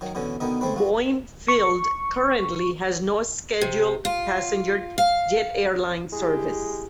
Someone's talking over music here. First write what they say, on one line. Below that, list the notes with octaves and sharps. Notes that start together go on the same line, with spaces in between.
Boeing Field currently has no scheduled passenger jet airline service.
D#3 F#3
B2 D3 E3 C#4
B2 D3 D#3 B3 D#4
G#3 A3 C4 B4
G2 F4 F#4
C#6
C3
F4
F5
G#3 E4 G4